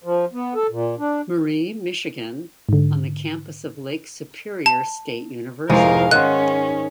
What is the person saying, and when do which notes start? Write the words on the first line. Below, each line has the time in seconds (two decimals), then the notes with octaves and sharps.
Marie, Michigan on the campus of Lake Superior State University.
0.04 F3
0.33 B3
0.55 A4
0.70 A#2
0.99 D4
2.69 G#2 D3
4.66 A5
5.70 F1 G#2 G#3 E4 A#4 C5 C#5 F5
6.11 D#3 C#4 D#5 F#5 C6 F#6